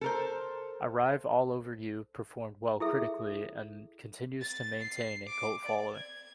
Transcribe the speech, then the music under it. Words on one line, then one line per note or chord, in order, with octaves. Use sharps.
"Arrive All Over You" performed well critically and continues to maintain a cult following.
A4 A#4 C5
E4 G#4 A4 E5
A6
C7
D6
D5
G#6